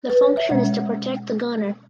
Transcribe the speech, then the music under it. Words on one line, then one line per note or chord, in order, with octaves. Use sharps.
The function is to protect the gunner.
B4
C#5
E5
B2 G#3 C#4 F#5